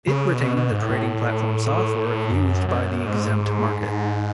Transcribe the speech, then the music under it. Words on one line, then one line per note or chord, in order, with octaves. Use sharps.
It retained the trading platform software used by the exempt market.
C#3
B2
B2
G#2
A2
F#2
F#2
G#2
G#2